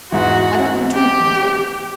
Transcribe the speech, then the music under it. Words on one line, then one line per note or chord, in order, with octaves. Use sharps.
Why don't you drink, Mitya?
E2 G#2 E3 F#4
G4